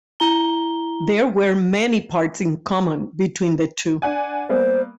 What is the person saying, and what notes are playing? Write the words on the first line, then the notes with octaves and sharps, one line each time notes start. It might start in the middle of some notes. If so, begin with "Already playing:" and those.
There were many parts in common between the two.
E4 A#5 G7
D4 F#5 G#5
G3 A#3 B3 C5